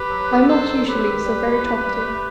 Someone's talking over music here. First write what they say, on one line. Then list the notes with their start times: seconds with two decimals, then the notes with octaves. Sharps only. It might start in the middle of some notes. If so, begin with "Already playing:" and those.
I am not usually so very talkative.
Already playing: G4 B4
0.10 F#3
0.30 D#3
0.48 F#3 A4 C5
0.68 D#3
0.86 F#3 G4 B4
1.06 D#3
1.25 G3
1.44 B2
1.62 A2
1.82 G3
2.00 A3